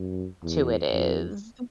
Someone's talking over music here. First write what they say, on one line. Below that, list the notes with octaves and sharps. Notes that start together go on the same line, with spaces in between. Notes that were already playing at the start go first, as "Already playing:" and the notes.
to it is
Already playing: F#2
E2
F2